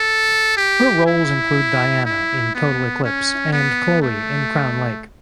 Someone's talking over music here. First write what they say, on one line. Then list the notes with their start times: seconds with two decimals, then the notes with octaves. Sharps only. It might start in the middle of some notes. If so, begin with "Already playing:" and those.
Her roles include Diana in "Total Eclipse" and Chloe in "Crown Lake".
Already playing: A4
0.57 G4
1.06 E4
2.05 E4
2.55 B3
3.04 C#4
3.52 B3
4.02 A3